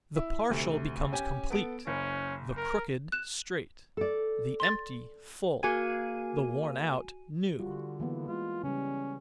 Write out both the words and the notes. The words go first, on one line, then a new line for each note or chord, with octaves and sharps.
The partial becomes complete; the crooked, straight; the empty, full; the worn out, new.
E4
D2 C3
C#4 G4 G#5
B3 A4 D7
F#1 C#4
A#4
F#6 E7
A4 D5
C6 A6
A#3 F#4 G#4 G#5 D#7
D3 G3 F4 F#4
E3 A#3 B3
G#3 F4
C#3 G3 C#4